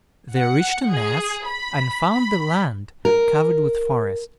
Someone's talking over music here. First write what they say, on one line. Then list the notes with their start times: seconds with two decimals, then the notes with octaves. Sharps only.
They reached a ness, and found the land covered with forest.
0.34 F#5
0.90 G#4
1.45 B5
2.12 B5
3.05 A#4